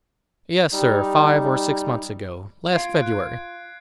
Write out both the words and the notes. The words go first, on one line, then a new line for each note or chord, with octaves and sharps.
"Yes, sir, five or six months ago--last February."
G3 D#4
F4 G#6 C7 D7
F#6